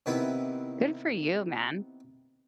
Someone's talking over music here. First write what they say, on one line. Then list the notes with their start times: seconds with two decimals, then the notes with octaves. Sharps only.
Good for you, man,
0.06 C3 D#3 B3 E4 B4